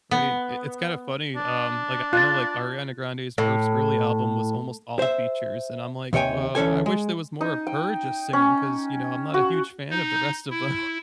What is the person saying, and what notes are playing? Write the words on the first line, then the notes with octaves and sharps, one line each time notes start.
Right, I it's kinda funny, um, like, I know, like, Ariana Grande's first early album was almost all features, and I'm like, "Well, I wish there was more of her just singing," 'cause, you know, I'm not a huge fan of the rest of them.
B3
D4
F4 F#6 A6
A2
C5 E5
D#2 C3 C#5 G5 G#5
D2 E3 C#4 A4 G#5
G#3
D#4
G5
C#4
F#4
D#4
E4